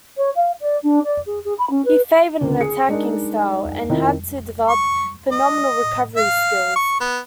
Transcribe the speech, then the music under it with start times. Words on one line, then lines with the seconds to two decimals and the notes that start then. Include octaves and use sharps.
He favoured an attacking style, and had to develop phenomenal recovery skills.
0.17 C#5
0.35 F5
0.60 D5
0.83 D4
1.04 D5
1.26 G#4
1.44 G#4
1.58 B5
1.70 C#4
1.84 B4
2.41 C#2 D3 A#3
2.61 G#4 C#7
2.89 G#3 D4 D#4 A#4
3.90 D#3 C4 E4 F4
4.69 C#6
5.32 D#5
6.17 F5
6.76 C#6
7.01 B3